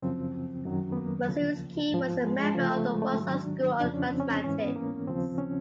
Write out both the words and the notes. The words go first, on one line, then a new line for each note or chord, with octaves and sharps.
Marczewski was a member of the Warsaw School of Mathematics.
F#2 C#3 F3 C4
F#2 D#3 F#3
B3
A#3
C#2 C#3 F3
G#2 F3
G#3
G#3
C#2 C#3 F3 A3
A3
G#3
A3
G#2 D#3 F#3
D4
F2 C#3 F3 D4
C#4
C4
C#4
G#2 E3 C#4
B3
A#3
D#2 C#3 F3 C4
C#4